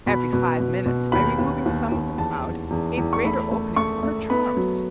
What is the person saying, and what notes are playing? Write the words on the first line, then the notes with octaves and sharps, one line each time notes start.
Every five minutes, by removing some of the crowd, gave greater openings for her charms.
B2 B5
B2
B2
B2
D#2 B5
D#2
D#2
D#2
E2 A5
E2
E2
E2
C#6
A3 B5
A3
A3 C#6
A3
B3 B5
F#3